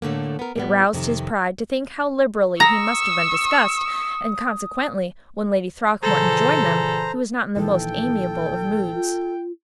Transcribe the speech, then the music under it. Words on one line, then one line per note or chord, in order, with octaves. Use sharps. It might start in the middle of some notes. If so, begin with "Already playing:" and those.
It roused his pride to think how liberally he must have been discussed, and, consequently, when Lady Throckmorton joined them, he was not in the most amiable of moods.
A2 D3 A3 A#3
B3 A#4
A2 G3 B3
F2 C3 D#3
A#5 C#6 D#6 E6
A#2 C#3 E3 A4 C5 A#5
A#1 D#3 E3 A4 G5
F4